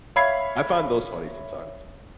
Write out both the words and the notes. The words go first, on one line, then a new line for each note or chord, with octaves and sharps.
I I find those funny sometimes.
C#5 E5 F5 B5 G#6 C7